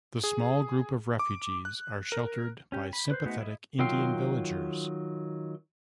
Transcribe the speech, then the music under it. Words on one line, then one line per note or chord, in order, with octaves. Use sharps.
The small group of refugees are sheltered by sympathetic Indian villagers.
G#4
D6
F#6
A#4
C#4 G4
B5
B4 C5
G#3 A3 B3 D#4 F#4
E4 D#5
D#3 F#3 F4 G5 C6